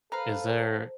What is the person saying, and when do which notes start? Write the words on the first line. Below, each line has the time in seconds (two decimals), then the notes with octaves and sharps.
is there
0.12 A4 B4 C5 F5 A#5